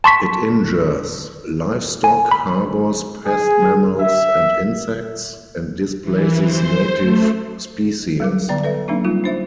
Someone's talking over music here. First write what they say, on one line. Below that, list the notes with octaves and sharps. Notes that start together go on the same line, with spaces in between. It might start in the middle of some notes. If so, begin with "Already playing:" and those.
It injures livestock, harbors pest mammals and insects, and displaces native species.
A5 C6 C#6 B6
G#5
B5
G#4
E5
E3
C5
A3
F#3 G3 D6
D3 B3 D5 G5
A4 B4 E5
F#3 A#3 C4 D4 D#4
G3 D#4 F4
D4 C5 E5